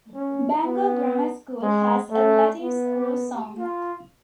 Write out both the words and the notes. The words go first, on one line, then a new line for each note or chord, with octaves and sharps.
Bangor Grammar School has a Latin school song.
C#4
B3
G#3
A3
B3
F4